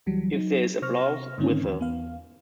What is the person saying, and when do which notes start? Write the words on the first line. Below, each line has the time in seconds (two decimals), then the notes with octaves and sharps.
If there is applause, whistle.
0.06 D2 E3 F#3 G3
0.34 F#3 D#4
0.82 C3 C5 C#6 F6 A#6
1.38 G#2 D3 D#3 C4 C#4 D#4
1.64 D#2 E3
1.79 E2 B3 F5